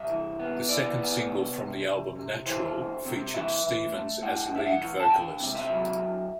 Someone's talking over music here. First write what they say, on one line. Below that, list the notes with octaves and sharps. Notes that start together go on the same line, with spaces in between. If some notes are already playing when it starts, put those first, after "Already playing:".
The second single from the album, '"Natural", featured Stevens as lead vocalist.
Already playing: C2 E5
E3
B3
E3 D5
B3
C3
C3
C3
C3
E3 C5
D2
C3
E3 E5
E3
A3
A2 F#5
A2 E5
F#5
E3
A5
D2 G5
C3
E5
F#3
D2